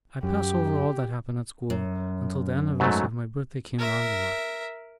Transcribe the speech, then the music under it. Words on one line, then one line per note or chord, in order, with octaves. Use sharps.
I PASS over all that happened at school, until the anniversary of my birthday came round in March.
F#2 G4
F#2
G#2 F#3 A3
A#4 E5